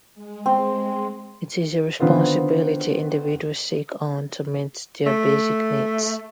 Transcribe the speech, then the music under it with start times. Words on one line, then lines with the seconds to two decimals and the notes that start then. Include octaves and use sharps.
It is a responsibility individuals take on to meet their basic needs.
0.15 G#3
0.46 C4
2.00 D3 D#3 B3 C4 F4 B4
5.07 A3